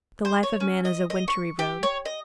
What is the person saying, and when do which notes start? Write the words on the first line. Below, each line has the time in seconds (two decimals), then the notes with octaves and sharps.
The life of man is a wintry road.
0.25 C5
0.43 C#5
0.60 C#4
0.85 D#5
1.10 D#5
1.28 C#6
1.59 G4
1.83 C#5
2.05 D#5